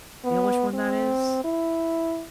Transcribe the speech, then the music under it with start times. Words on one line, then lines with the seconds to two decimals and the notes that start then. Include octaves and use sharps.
You know which one that is?
0.24 B3
0.74 C4
1.44 E4